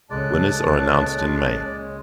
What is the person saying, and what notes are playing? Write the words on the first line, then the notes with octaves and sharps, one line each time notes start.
Winners are announced in May.
C#2 A#2 G#3 C#4 A4 D5 A5 F#6